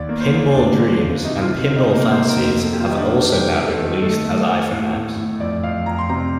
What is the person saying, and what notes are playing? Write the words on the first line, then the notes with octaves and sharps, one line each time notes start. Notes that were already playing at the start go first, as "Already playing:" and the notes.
"Pinball Dreams" and "Pinball Fantasies" have also now been released as iPhone apps.
Already playing: D#2 D5
A#3
C5
D3
D#2 D4
D3
D#2
C3 D#4
F4
C3
C3
D#4
A#3 D#4
C5
A#3
A#4
F2
A#3 A4
G4
F4
D#3
D#4
D4
D#3
D4
G3 G4
G3
A4
D#3
A3 A4
A3
A3
A2
A2
A2
F2 D5
F2 F5
F2 A#5
C6
C3 A#5